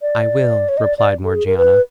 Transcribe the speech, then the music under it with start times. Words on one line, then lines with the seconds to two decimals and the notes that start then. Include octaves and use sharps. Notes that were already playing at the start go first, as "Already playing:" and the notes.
"I will," replied Morgiana.
0.02 D5
0.69 C#5
0.77 D#5
0.84 D5
0.98 D5
1.24 A4
1.35 G#4
1.46 A#4
1.58 B4